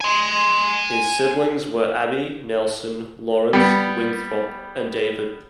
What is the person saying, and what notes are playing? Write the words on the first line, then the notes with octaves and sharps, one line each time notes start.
His siblings were Abby, Nelson, Laurance, Winthrop, and David.
G#5 C6
G3 B3